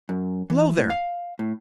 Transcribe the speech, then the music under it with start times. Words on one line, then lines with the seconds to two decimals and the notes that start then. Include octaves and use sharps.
Below there!
0.09 F#2
0.50 E3
0.78 A2
0.90 F5
1.39 A2